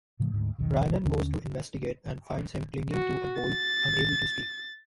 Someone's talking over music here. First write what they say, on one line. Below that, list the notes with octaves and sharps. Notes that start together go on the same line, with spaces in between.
Rhiannon goes to investigate and finds him clinging to a bowl, unable to speak.
A2 C#3 F3 A3
D2 G#2
E1 B1 E2 D#3
D#2 D3 C#4
F#4
A6